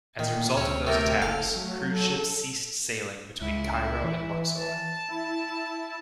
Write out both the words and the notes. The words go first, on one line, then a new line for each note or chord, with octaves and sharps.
As a result of those attacks, cruise ships ceased sailing between Cairo and Luxor.
A#2 D#3
D2 C4 C#4
C3 A3 A#4 G5
F#1 A4 F5
F#3 A3
A4
C#2 E4
E3
A5
E4